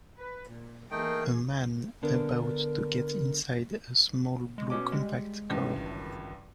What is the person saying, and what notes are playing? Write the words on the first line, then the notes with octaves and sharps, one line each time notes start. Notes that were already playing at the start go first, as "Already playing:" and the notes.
A man about to get inside a small blue compact car.
B4
A#2
E3 A3 A#3 D#4 G#4 A#4 G5
D3 B3 D4 A#4
G#3
B2 C#4 D6
G3 G#3
C#2 G2 E3
G#1